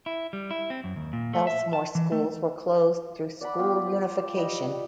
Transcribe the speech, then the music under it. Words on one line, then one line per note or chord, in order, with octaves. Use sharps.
Elsmore schools were closed through school unification.
E4
G3
E4
C4
F#2
D#2
A#2
A3
E5
A5
E3
A3
D5 F#5 B5
B3 F4 G4 G5
C5
D6
G3 B4 D#5 D#6